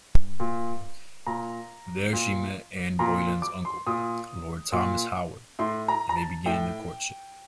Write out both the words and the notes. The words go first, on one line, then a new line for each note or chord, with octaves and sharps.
There she met Anne Boleyn's uncle, Lord Thomas Howard, and they began their courtship.
A#2
A#2 A#5
A#2
A#2 A#5
D6
C6
A#2 D#6
A#2
A2 C6
A#5
A#5
A5
A2 G5